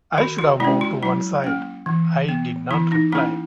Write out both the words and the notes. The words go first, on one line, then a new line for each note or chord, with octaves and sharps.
I should have moved to one side. I did not reply.
D#3 F#4
F#4
G#3 C#4 E4
F#4
F#3 E4
A#3 C#4
E3
B3
E3 E4
D#4
A#3 C#4 E4